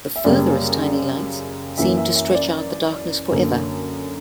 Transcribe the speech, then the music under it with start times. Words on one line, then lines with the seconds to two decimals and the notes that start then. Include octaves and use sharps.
The farthest tiny lights seemed to stretch out the darkness for ever.
0.16 E5
0.24 F#2 C#3 G3 A#3 D5
1.78 F#2 E3 A#3 E5
1.97 E5
2.16 E5
2.35 D5
3.31 F#2 D3 A#3